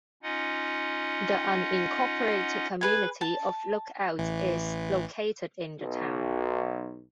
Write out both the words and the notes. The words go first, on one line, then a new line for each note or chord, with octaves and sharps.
The unincorporated community of Lookout is located in the town.
C#4 D#4 F4 D#5 F#5
G#4 B4 G#5
A5
A1 E3
B1